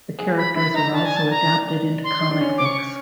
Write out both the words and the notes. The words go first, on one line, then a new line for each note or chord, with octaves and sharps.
The characters were also adapted into comic books.
G#4
B5
E4 B5
D#4 A#5
D4 A5
G#5
A5
A#5
C6
D#4
D4
C#4
D6
C#6